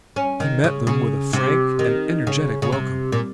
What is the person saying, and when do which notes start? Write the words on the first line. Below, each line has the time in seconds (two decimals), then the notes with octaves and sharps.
He met them with a frank and energetic welcome.
0.16 C#4
0.40 D#3
0.64 C#3
0.87 C#3
1.33 C3
1.79 D#3
2.27 C#3
2.62 C#3
2.72 C3
3.12 A#2